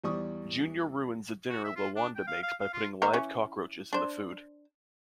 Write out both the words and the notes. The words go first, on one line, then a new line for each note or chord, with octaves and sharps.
Junior ruins a dinner LaWanda makes by putting live cockroaches in the food.
E2 G3 D5 C#6 D#6
F#4
E5
F4
D4
G5
F5
F5
F5
F4
D#3 A#3 A#4
E3 C#4
D4 C5